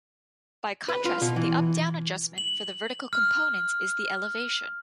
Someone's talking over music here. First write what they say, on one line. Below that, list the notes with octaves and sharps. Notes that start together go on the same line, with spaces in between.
By contrast, the up-down adjustment for the vertical component is the "elevation".
B4
F4
B2
E3
F#7
F6